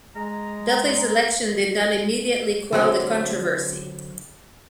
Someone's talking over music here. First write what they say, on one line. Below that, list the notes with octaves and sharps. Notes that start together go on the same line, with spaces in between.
Dudley's election did not immediately quell the controversy.
G#3 A#5
D3 F#3 C4